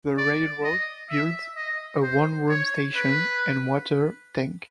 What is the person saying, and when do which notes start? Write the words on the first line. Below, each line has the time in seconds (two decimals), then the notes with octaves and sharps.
The railroad built a one-room station and water tank.
0.18 D5
0.64 D#5
1.10 E5
1.57 D#5
2.03 C5
2.49 C#5
2.96 B4